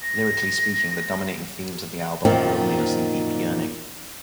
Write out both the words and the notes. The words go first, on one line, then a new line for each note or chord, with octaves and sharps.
Lyrically speaking, the dominating themes of the album were loneliness and deep yearning.
A#6
F#2 A#2 D#3 F3 C4